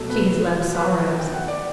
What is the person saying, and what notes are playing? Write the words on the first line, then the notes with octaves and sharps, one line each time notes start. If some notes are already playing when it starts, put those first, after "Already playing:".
She has left sorrows.
Already playing: B2 F#3 A3 A4
B4
B4
G5
F#5
D5